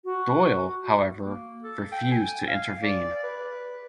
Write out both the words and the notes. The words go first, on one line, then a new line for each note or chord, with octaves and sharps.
Doyle, however, refused to intervene.
F#4
A#3
A4
G5
G#5
F5
D5
B4